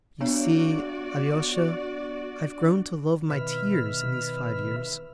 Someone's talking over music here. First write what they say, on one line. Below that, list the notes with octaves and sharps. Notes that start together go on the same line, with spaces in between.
You see, Alyosha, I've grown to love my tears in these five years....
B3 D4 F#4 C#5 D5
B2 D#3 B4 E5 B5 F6